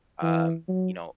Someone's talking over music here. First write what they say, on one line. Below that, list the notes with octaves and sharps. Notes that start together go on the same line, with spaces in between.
um, you know,
E3
F#3